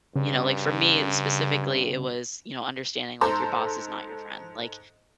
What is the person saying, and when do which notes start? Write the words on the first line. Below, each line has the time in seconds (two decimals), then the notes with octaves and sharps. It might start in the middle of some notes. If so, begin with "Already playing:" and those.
you know, like, for me, specifically, it was, you know, understanding, like, your boss is not your friend, like
0.16 G2 C#3
3.21 G#2 A4 C5 A#5 C6